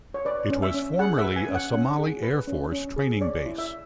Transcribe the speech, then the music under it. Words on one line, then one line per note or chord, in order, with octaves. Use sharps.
It was formerly a Somali Air Force training base.
C#5
B4 D5
C#4
E5
C#4
G#4 F#5
E5
B4
G#5
C#4
F#5
C#4
G#4
B4
C#4
C#4
G#4
C#5 D5
E4
E5